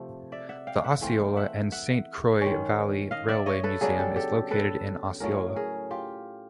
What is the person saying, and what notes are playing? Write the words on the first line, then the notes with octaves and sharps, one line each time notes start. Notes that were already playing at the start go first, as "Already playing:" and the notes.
The Osceola and Saint Croix Valley Railway Museum is located in Osceola.
Already playing: C3 F3 A3
D5 E5
E5 F#5
F5 G5
E5 F#5
E3 A3 C4 F5 G5
E5 F#5
E5 F#5
D#3 G#3 C#4
D#5 F5
D5 E5
C#5 D#5
A4 B4
C#3 F#3 B3 D4 G#4 A#4
G4 A4
G4 A4
A4 B4
A2 F#3 A3 C#4 G#4 A#4
G#4 A#4
F4 G4